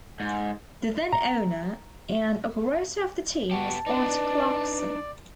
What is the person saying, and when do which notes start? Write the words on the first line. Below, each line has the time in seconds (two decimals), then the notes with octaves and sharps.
The then owner and operator of the team was Art Clarkson.
0.20 G#2
1.13 A#5
3.51 B3 F#4 G4 A5
3.86 D4 D#4 B4 D5